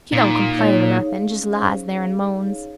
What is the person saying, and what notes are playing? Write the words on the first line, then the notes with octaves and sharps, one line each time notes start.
She don't complain or nothing--just lies there and moans.
A#2 D#4
D#4
C#5
G#4
F5
C#4
C5
G#4
F5
D#4
C#5